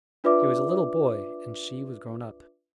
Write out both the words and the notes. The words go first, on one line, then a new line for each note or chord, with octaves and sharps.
He was a little boy, and she was grown up.
D4 F4 B4 D5 E5 D6